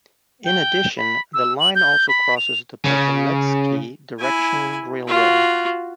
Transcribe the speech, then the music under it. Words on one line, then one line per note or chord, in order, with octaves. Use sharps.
In addition the line also crosses the Paveletsky direction railway.
G5
B5
E6
F#7
G6
B5
F7
C#3
E4 G#5
F4 F#4